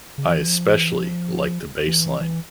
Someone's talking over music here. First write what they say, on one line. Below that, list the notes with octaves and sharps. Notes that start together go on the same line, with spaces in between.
I especially like the bassline.
C#3
E3
F3
E3
F3
E3
E3